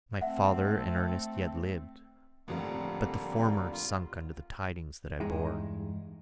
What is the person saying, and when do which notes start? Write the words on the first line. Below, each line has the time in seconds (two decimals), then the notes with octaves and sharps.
My father and Ernest yet lived, but the former sunk under the tidings that I bore.
0.21 A3 C4 E5 F#5
2.48 A1 F2 D3 G3 A#3 F5
3.72 F4
5.20 E2 G2 G#3 D#4 E4